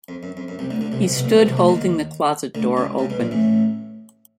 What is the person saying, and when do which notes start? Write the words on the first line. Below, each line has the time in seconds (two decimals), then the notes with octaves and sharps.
He stood holding the closet door open.
0.09 F2
0.23 F#2
0.37 F2
0.48 F#2
0.59 C2 C3
0.70 D2 D3
0.81 D2 D3
0.92 C2 C3
1.03 C2 C3
1.13 B1 B2
1.24 A#1 A#2
1.35 B1 B2
1.46 C2 C3
1.57 D2 D3
1.68 D#2 D#3
2.55 D2 D3
2.77 C#2 C#3
2.98 C#2 C#3
3.10 B1 B2
3.20 A#1 A#2
3.31 A1 A2